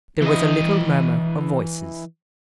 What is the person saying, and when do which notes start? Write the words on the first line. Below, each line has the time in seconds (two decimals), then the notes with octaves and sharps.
There was a little murmur of voices.
0.22 E3 D#5